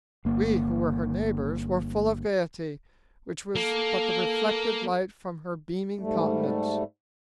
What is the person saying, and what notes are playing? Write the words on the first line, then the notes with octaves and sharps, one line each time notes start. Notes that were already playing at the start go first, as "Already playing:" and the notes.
We who were her neighbors were full of gayety, which was but the reflected light from her beaming countenance.
G1 A#3
A#3 A4
G#2 G3 A3